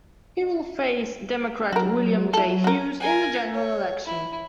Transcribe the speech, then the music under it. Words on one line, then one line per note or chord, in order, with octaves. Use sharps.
He will face Democrat William J. Hughes in the general election.
F#3 F#4 A#4
E4 A4
F#4 A#4
A#4 G#5
C#5
E4